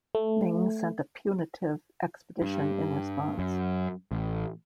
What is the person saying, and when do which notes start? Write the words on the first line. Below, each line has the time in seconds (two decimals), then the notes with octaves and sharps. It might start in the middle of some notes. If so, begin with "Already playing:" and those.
Ming sent a punitive expedition in response.
0.15 A3
2.42 G2
3.39 F#2
4.11 A1